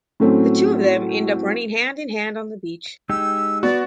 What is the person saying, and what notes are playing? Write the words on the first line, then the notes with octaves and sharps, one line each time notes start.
The two of them end up running hand in hand on the beach.
A2 F#3 A3 C4 C#4
G#3 D#4 G4 E6
B3 F#4 D5